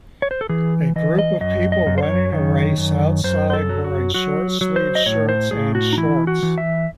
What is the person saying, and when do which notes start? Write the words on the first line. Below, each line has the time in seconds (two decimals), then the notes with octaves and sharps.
A group of people running a race outside wearing shortsleeve shirts and shorts.
0.22 C#5
0.31 C5
0.41 A4
0.49 E3 G#4
0.96 E3 D#5
1.19 D#5
1.41 F#2 D#5
1.72 D#5
1.86 F#2
1.98 C5
2.03 C#5
2.33 D#3
2.78 F#2
3.24 F#2 C5
3.50 C5
3.53 A4
3.69 F#3
3.84 F#4
4.14 F#3 F#4
4.61 F#3
4.76 C5
4.95 D#5
5.06 A2 C#5
5.29 C5
5.51 A2 G#4
5.75 F#4
5.93 D#4
5.97 E3 E4
6.27 F#4
6.43 E3
6.58 E5